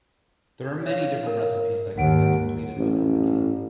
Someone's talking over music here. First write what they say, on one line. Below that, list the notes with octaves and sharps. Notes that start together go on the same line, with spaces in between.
There are many different recipes that can be completed within the game.
C#5 F5
A#4
D#2 G#2 F#5 D7
A1